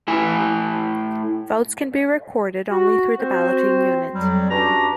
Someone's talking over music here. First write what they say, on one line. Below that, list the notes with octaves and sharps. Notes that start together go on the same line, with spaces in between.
Votes can be recorded only through the Balloting Unit.
A2 E4 G#5
F#4
C4 F#4 C5
F2 F#3 G3
C#4 D4 F#4 G4 B4 A#5